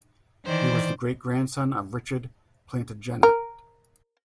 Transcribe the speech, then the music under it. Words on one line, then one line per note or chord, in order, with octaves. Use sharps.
He was the great-grandson of Richard Plantagenet.
D#3 E3 C5 D5
A#4